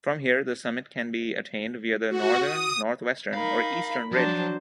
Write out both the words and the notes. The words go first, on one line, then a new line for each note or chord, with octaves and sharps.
From here, the summit can be attained via the northern, northwestern or eastern ridge.
F#4
D#6
D#4 A#4 F5 B5
F3 F#3 D4 C5 A5